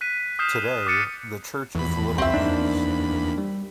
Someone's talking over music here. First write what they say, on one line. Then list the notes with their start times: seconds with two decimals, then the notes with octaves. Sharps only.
Today, the church is little used.
0.01 F#6 B6 D#7
0.39 D#6 F6 G6 B6 C7 E7
0.87 D6 F#6 A6 B6 C#7 D#7
1.75 E2 E3 B5
2.18 C2 C4 E5
2.34 A#3 D4 D#4
3.38 G3